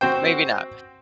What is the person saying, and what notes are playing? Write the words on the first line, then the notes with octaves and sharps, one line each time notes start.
Maybe not.
C4 F#4 C5 G5